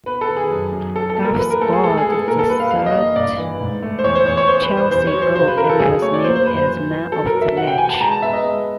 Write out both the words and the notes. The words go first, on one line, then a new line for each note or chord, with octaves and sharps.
Duff scored the third Chelsea goal and was named as Man of the match.
B3 B4
A4
D#3
G#4
F#2
F#2
F#3 A4
A4
A#3
A#4
E3 B4
A#4
A3 A4
G#4
G#3 A4
G#4
B3
A4
A#2 A#4
A4
G3 B4
F5
E2 F5
D#5
A#3
D#5
G2 D5
E3
G#2
A3
C5
E2 C#5
C5
E2 C#5
C#5
B3 C5
B4
G3
C5
E2 C5
C#5
F#3
C5
C#3 C5
B4
C#3 A#4
A4
F#3 G#4
A3 C#5
D5
A#3 C5
C5
F#2 B4
C5
E3
E3
F#3 A4
A#4
F#3
E5
C3 F#5
G5
E3 G#5
A5
G#3 A#5
A5
B3 E5
D#5
G#3